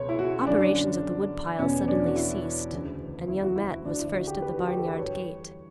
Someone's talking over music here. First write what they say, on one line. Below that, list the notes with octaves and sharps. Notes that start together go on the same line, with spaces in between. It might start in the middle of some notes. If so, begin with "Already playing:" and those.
Operations at the woodpile suddenly ceased and Young Matt was first at the barn-yard gate.
Already playing: C#2 B2 C#5
E4
F#4
C#4
F#2 D3 D4
E2 B2 C#4
D4
F#4
E4
D2 C#3 E3
E4
F#4
E4
D2 D3 D4
E4
F#4
G4
B4
F#4
G4
A4
B4
G2 E3 C#5